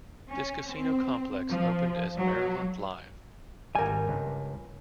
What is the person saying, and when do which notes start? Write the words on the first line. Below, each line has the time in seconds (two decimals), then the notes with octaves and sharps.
This casino complex opened as Maryland Live!
0.29 C#4
0.70 C4
1.51 F3
2.17 F#3
3.75 G#1 G3 A#4 G#5
4.08 C#2 G2